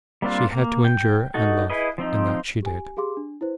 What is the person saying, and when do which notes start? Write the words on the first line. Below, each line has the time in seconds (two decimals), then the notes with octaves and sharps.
She had to endure and love, and that she did.
0.22 G3 A#3 C4 D4 F4
0.52 A#3
0.85 G5
1.34 D#4 F#4 A4
1.70 E4 G#4 B4 D#5
1.98 F3 C4 D#4
2.63 G4 G#5
2.97 G4 G#4 F5 C6 D6
3.17 D4
3.41 E4 B4 C5